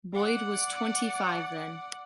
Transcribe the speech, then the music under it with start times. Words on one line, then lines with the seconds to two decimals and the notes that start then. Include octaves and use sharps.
Boyd was twenty-five then.
0.13 D5 F#5